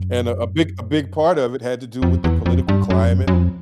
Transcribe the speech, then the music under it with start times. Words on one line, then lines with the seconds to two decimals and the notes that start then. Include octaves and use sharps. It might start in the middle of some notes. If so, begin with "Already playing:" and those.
and a a big a big part of it had to do with the political climate
Already playing: F#2
2.02 F2
2.24 E2
2.46 F2
2.68 G2
2.90 F#2
3.04 F2
3.12 F#2
3.27 F#2
3.33 F2